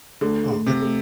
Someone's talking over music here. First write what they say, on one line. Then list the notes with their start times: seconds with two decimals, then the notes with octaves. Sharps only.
Oh, th
0.21 D3 A3
0.52 A3
0.67 C3
0.81 A3